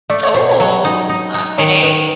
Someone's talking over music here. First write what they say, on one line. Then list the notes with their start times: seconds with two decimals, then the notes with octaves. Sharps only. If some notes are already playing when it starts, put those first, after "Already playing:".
Ooh, okay.
0.10 A3 D5
0.23 C#5
0.34 B2 C5
0.50 C#5
0.60 F#3
0.85 D#4
1.09 D#4
1.34 D#4
1.58 D#3 C#5
1.83 D#3 B4